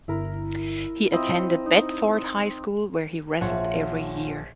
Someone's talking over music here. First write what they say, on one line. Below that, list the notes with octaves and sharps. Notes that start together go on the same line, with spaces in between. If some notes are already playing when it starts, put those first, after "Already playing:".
He attended Bedford High School where he wrestled every year.
G1 E4 A#4
F3 C4 E4 D#5
D#4
A#1 F4 F#4 C#5 E5 F#5